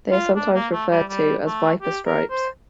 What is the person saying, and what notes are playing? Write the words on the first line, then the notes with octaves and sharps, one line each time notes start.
They are sometimes referred to as "Viper Stripes".
F4
D4
A#3
A3
G3
G3
A3
G4
A#4
C5